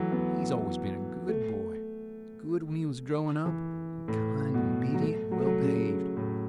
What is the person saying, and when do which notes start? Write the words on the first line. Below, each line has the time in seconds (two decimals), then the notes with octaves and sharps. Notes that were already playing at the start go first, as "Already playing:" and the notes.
He's always been a good boy--good when he was growin' up, and kind and 'bedient and well-behaved.
Already playing: E3 F#3 A3
0.12 B3
1.28 A3
3.46 E3
4.08 A2
4.54 B2
4.94 F#3
5.01 A3
5.32 F#3
5.40 A3
5.47 F#3
5.63 C#3
6.17 A2